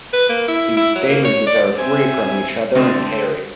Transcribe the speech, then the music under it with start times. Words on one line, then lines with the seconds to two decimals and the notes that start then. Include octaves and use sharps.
The stamens are free from each other and hairy.
0.13 B4
0.29 A#3
0.48 E4
0.77 E4
0.95 F#3
1.09 A#3
1.25 C#5
1.47 D5
1.78 C4 C5 E5 G#5
2.75 D3 A3 C4